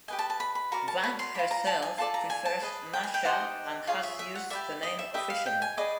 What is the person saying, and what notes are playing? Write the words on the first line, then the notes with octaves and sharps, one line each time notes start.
Vang herself prefers Mascha and has used the name officially.
G4 B4 D#5 G#5
A5
A5
B5
B5
F#4 A#4 D5 A#5
A5
B5
C6
F4 A#4 D5 B5
A#5
A5
G#5
F4 A4 D5 A5
A#5
G#5
A5
G#4 B4 D#5
G5
G#5
G5
D#4 G4 C5 D#5 F#5
F4 G#4 C#5 F5
E5
E5
F#5
G4 B4 D5 E5
D#5
E5
G4 B4 D#5 E5
F5
G5
G#5
G#4 B4 D5 D#5